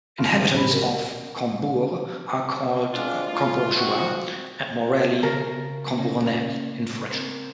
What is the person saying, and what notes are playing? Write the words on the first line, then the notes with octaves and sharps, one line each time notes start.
Inhabitants of Combourg are called "Combourgeois" and, more rarely "Combournais", in French.
E5 F5 C6 F6
D4 C5
A1 B2 G4 B5
F#4 A#4
G#3 C4 D4 F4
A3 E4 F4
C4 F4 F#4
C#3 A#4 A6 B6
A#3 C#4 D#4
C4 A#4 C5